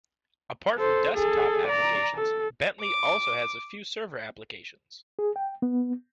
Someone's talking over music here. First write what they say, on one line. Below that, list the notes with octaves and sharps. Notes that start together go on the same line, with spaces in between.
Apart from desktop applications, Bentley also has a few server applications.
A4 C5
G#4 A4
D5 A#5
A4
D6
G#4
G5
B3